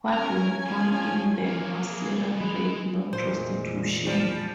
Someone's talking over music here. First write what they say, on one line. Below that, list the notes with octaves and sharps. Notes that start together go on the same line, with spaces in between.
What went on in them was serial rape, not prostitution.
C#4 A#4 G#5 A#5
F3
C3 A#3
G#4
E3 G#3
F1 A#2 E3 G#3 C5
F3 G3